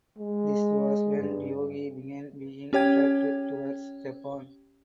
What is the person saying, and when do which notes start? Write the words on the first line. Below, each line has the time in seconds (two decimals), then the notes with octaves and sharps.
This was when Yogi began being attracted towards Japan.
0.18 G#3
1.19 G2
2.73 C#4 G4 C#5 G5 G#6